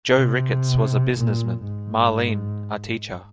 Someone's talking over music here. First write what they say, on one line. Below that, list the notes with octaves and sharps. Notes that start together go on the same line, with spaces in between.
Joe Ricketts was a businessman; Marlene, a teacher.
C3
A#2
G#2